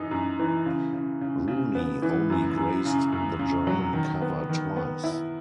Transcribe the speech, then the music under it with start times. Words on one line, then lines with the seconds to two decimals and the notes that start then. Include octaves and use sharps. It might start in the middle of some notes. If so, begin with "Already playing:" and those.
Rooney only graced the German cover twice.
Already playing: F#2 E3 D#4
0.11 F#2
0.39 E3
0.66 C#3
0.93 C#3
1.21 C#3
1.48 C#3
1.75 B3
2.02 E3
2.30 F#2
2.57 F#2
2.85 C#3
3.12 F#2
3.39 C#3
3.67 F#3
3.94 D#3
4.21 B3
4.49 D#3
4.76 B3
5.04 E4